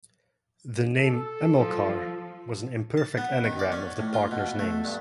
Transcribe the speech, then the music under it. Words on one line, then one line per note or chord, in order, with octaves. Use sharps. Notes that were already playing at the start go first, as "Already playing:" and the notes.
The name "Amilcar" was an imperfect anagram of the partners' names.
A4
F3
A5
B3
D#3
D5
C#4
A2
F4
B2
A3
G2